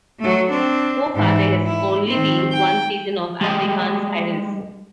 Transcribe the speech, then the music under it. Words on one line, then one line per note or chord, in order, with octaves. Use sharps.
So far there has only been one season of "Afrikaans Idols".
F#3 A3
C4 D4
G#2 E3
E4
D#3 C4
G5
G3 G#3 D#5 G5